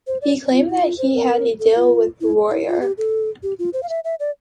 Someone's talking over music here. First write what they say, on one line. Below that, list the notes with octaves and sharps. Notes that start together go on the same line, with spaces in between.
He claimed that he had a deal with Royer.
C5
D5
F4
E4
F4
C5
A#4
A4
F4
E4
E4
F4
G4
A4
G4
F4
C5
F5
E5
E5
D5